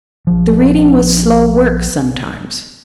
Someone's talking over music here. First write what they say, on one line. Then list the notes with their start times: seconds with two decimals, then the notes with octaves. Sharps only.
The reading was slow work sometimes.
0.27 A#1 F3